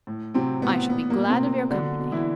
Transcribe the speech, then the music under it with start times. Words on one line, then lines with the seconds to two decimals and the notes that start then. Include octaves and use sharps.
"I shall be glad of your company."
0.07 A2
0.34 C3 F#3 C4
0.62 A2 B3
0.89 A#2 B3
1.10 A#3
1.16 A#2
1.30 C3 C4
1.43 A#2
1.70 D3 F#3 D4
1.99 B2
2.12 E3 E4